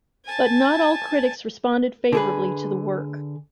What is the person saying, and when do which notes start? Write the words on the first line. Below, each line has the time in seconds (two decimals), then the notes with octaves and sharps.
But not all critics responded favourably to the work.
0.25 G#5 A5
2.12 D3 G#4 B4